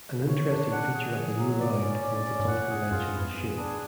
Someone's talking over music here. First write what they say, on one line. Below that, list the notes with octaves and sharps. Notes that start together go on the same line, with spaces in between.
An interesting feature of the new round was its unconventional shape.
C#3
D3 C#5
D4
F#5
G#4
F3 G#4
D3 F#3
C#3 D5
C#4
A2 D5
G#2 C#4
G#2
F#2 F#5
G#4
F#2 F4
F2 B3
F#2 G#4
D4